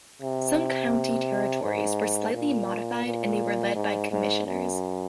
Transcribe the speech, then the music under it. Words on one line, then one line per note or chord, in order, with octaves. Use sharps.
Some county territories were slightly modified and they were led by "commissioners".
C3
G#2
A#2
A#2
G#2
G#2
F#2